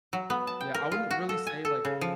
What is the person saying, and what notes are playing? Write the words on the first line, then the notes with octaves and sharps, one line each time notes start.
Yeah, I wouldn't really say, like,
F#3
B3
A5
G5
A#4
F4
F#4
A4
G#5
A4
C#3
F3